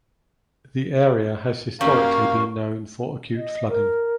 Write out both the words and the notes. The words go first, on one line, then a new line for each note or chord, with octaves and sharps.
The area has historically been known for acute flooding.
F#2 G3 A#3 F5 C#6
D#5
A#4